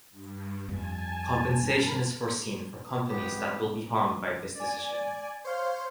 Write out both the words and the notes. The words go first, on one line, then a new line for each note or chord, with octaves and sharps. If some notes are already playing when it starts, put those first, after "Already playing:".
Compensation is foreseen for companies that will be harmed by this decision.
G2
F2 G3 G#5 A5
G2 A#4 A5 B5
C2 G#2 B3 G4
D5 G#5
C5 C#5 F5 C6